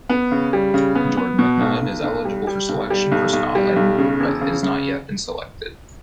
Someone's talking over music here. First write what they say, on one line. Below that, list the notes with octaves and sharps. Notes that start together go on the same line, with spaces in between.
Jordan McMillan is eligible for selection for Scotland but has not yet had been selected.
B3
C#3
G3
C#3
B3
B3
B2
B1
B1
B1
G3
G3
B1
G3
B1
B1
G3
B1
C#3
E1
C#3
C#3